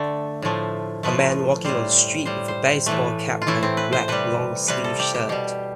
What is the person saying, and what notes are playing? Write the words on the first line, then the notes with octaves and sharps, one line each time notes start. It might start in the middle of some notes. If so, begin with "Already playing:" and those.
A man walking on the street with a baseball cap and black longsleeve shirt.
Already playing: D3 A3 A4
A2 F3 A3
A2 F3 A3 B4
A2 G3 C5
A2 G3 C5
C5
A2 E3 A3 B4
F4
A2 E3 A3 E4
C4
B4
C5
C3 G3 B4
C3 G3 B4
A4
G4
G4
B2 G3 G4